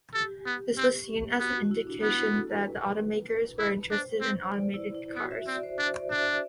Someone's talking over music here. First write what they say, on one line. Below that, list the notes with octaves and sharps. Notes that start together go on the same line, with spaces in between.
This was seen as an indication that the automakers were interested in automated cars.
G4 A4
B3
C4
B3 F#4
F#4
E4
D4
B3 E4
F#4
A4
B4
E4
D4 C5
C4
D5
E4
E4
B3 F#4
E5
C4 D5
C5
D4 C5
D5
D4 E5
D5